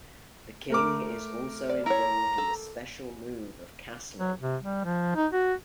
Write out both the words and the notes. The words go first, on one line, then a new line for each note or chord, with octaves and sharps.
The king is also involved in the special move of castling.
A3 A#4 D6
D5
E4 C#5 A#5
A4
F#3
C3
G3
F3
D#4
F#4